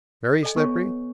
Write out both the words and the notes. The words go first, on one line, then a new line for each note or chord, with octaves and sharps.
"Very slippery?"
A4 D#5 G#5
B3 C#5 G#5 C#6